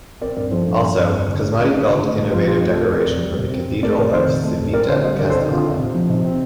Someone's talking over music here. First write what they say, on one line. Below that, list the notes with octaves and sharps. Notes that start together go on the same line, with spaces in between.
Also, Cosmati built innovative decoration for the Cathedral of Civita Castellana.
C4 A#4 D5
G2 A#4 D5
F3 A4 C5
G2
C4
G2
D4
D3
A3
D3 F4
D4 D#4
D3 F4
A3 D#4
C3 D#4
F3 F4
C3 F4
D#4 G4
A3
F4 A4
C3 A#4 D5
C4 A#4 D5
C3
G3
C3
C4
C3
A3 A#4 D5
C3 A#4 D5
D#3 C5 D#5
C3
A3
C3
C4 A#4 D5
D3 A4 C5
G3 C5 D#5
D3 A#4 D5
A4 C5
C4
D#4
D3 F4
C4
C3
F3
C3 D#4
C4